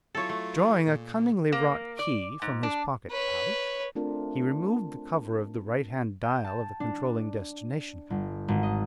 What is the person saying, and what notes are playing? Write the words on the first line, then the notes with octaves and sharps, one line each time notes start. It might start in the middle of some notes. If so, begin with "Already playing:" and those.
Drawing a cunningly wrought key from his pocket-pouch, he removed the cover of the right-hand dial of the controlling destination compass.
F#3 E4 F4 A4 C#5
A3
A#2
A#3
D5
G#2
D4
B4 C#5
A3 C4 D4 F4 A#4
G5
A5
D4
G1
G#1
D#5